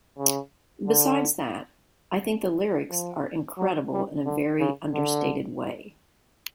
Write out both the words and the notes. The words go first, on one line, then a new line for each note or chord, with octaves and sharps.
Besides that, I think the lyrics are incredible in a very understated way.
C#3
D3
F3
F#3
G3
D3
C#3
D3